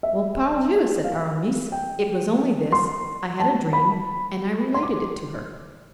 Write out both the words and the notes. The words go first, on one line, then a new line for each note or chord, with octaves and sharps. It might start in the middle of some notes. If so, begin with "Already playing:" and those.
"Well, pardieu!" said Aramis, "it was only this: I had a dream, and I related it to her."
E5
F5
G5
C6
A5
B5
C6
D6